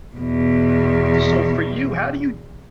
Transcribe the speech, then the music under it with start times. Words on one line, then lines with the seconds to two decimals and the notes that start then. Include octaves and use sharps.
So, for you, how do you
0.16 E2 B2